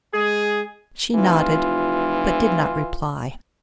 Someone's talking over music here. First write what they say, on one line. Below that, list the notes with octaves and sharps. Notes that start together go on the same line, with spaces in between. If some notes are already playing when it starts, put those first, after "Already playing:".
She nodded, but did not reply.
G#3 G#4
F1 E3 F4